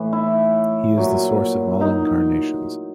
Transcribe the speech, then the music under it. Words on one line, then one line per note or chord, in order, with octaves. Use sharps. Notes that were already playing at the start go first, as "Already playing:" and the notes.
He is the source of all incarnations.
Already playing: A2 E3
E4
A#2 F#3
D#4